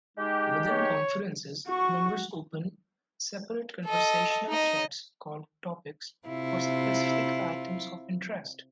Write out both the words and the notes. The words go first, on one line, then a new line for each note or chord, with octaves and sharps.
Within conferences, members open separate conversational threads called "topics" for specific items of interest.
G#3 D#4 G4
C#5
F#4 C#6
A4 D#5
D#4 D#5
C3 E4 F4